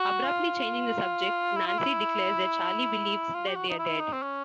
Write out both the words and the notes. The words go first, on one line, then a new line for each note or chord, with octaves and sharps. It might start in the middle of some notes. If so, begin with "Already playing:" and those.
Abruptly changing the subject, Nancy declares that Charlie believes that they are dead.
Already playing: F#4
F4
E4
F4
E4
F4
G4
F#4
D#4
E4
D#4
C4
C#4